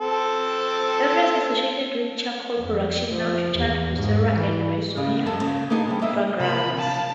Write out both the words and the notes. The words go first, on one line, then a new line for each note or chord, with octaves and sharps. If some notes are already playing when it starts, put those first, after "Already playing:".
Areas associated with charcoal production now feature "Bursera" and "Pisonia fragrans".
C4 A4
F2
F3
E2
G#2
E3
C#3
F#2 G#3 A#3 A4 A5
C#3
A#3 B3 D4 D#4 G#4 A4
C3 G3
A#3 D#5 E5
C3 A#4 B5
D4 A#4 F5 A5